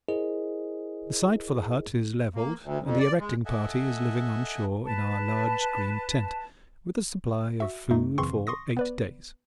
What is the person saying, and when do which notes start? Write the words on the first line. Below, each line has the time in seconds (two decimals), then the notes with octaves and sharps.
The site for the hut is levelled and the erecting party is living on shore in our large green tent with a supply of food for eight days.
0.09 E4 G#4 A#4 C5 D#5
2.34 A#3
2.62 D2
2.83 F2
2.99 D5
3.20 G#3
3.46 A4 D#5 E5 F#5 G#5
4.84 B4 A5
7.60 F#4 E5
7.91 F#2 A3 D#4
8.18 F#2 C#3 E3 C4 C6 C#6
8.47 C6 C#6 D#6 A#6
8.77 B3 B4 D5